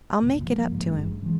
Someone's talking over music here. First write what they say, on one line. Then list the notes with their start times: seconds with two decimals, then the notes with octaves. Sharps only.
I'll make it up to him.
0.22 F#1 C2 A#2
0.44 F3 G#3 A#3
0.69 F#1 G#2 F3
0.85 G#1 G2 G#3 C#4
1.23 E3 F3 G#3